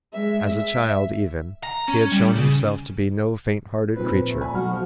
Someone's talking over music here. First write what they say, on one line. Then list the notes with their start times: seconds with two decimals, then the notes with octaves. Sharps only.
As a child, even, he had shown himself to be no faint-hearted creature.
0.14 G#3 E5
0.59 E5
1.63 A#5
1.88 C#4
2.12 G3
2.36 C#3
3.96 A#2 F3 C4 B4
4.27 A3
4.41 D5 G#5 B5
4.53 B1 F#4 F6
4.70 F3